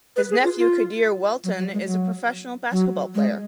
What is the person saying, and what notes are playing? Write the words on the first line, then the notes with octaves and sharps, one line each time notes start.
His nephew, Quadir Welton, is a professional basketball player.
B4
G#4
F4
F4
F#3
F#3
G#3
F#3
F#3
G#3